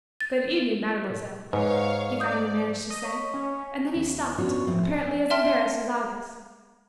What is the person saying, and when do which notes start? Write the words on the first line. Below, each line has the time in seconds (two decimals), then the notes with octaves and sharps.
"Good evening, mademoiselle," he finally managed to say, and then he stopped, apparently as embarrassed as I was.
0.21 A6
1.53 G#2 B4 C#5 F5
2.20 D5 D#6 G6
2.90 D#5
3.03 C#5 C#6 B6
3.34 C#4
3.94 D#2
4.38 B3 C#4 D4 F4 F#4 C#5
4.67 A2 F3 A3 C4
4.83 G#5
5.30 E5 G5 A5 C6 F6